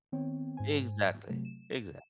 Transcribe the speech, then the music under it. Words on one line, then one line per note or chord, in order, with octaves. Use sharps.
Exactly. Exact
D#3 B3 C4 C#5 G5
G#2 C5 G#5
C3 F#3 A3
E7
E7